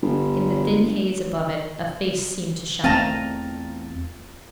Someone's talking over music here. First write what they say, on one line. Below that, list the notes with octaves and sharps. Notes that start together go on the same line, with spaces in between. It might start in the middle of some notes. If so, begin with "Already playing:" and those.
In the thin haze above it a face seemed to shine.
G1
E2 A3 C4 F4 A5 A#5